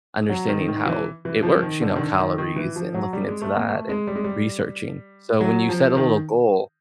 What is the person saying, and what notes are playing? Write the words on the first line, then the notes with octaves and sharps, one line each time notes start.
understanding how it works, you know, calories and looking into that and researching. So, when you set a little goal,
F#3
D#3
D#3
E3
E3
F3
D#3
D3
D#3
D3
D#3
D#3
E3
F3
F#3
G3
G#3
A3
A#3
A3
G#3
G3
G#3
G3
F#3
F3
D#3